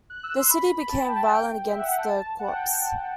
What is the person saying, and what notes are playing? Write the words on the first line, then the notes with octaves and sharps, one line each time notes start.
The city became violent against the Copts.
F#6
E6
C6
B5
B5
A5
G5
A5
G5
E5
F#5
G5
A5
A5
F#5
G5